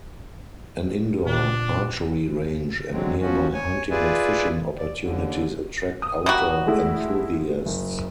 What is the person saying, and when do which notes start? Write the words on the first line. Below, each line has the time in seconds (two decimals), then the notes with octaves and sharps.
An indoor archery range and nearby hunting and fishing opportunities attract outdoor enthusiasts.
1.26 A#2 D4
2.91 D3 F#3 G#3 C4
3.20 F3 C#4 F#4
3.53 C#5 G#5
3.91 F4 G#4 B4 D5 E5 G#5
4.78 D5
5.00 D#2 D3
6.02 D#6
6.26 G3 A#3 F#4
6.66 G#3 A3 E4
7.66 F#1